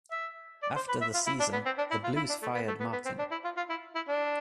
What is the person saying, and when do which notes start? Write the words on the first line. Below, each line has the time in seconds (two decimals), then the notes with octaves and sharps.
After the season, the Blues fired Martin.
0.11 E5
0.63 D5
0.76 C5
0.89 B4
1.01 E5
1.14 F4
1.26 E4
1.40 D4
1.52 B3
1.65 C4
1.78 D4
1.91 E4
2.04 F4
2.16 E4
2.29 D4
2.42 A3
2.54 B3
2.67 A3
2.80 B3
2.93 B3
3.05 C4
3.19 D4
3.31 E4
3.44 F4
3.57 F4
3.69 E4
3.95 E4
4.08 D4